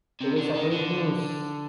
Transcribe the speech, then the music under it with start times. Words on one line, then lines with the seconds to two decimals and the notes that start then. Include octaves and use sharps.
It is a great news.
0.21 C3
0.38 D3
0.55 D#3
0.72 D3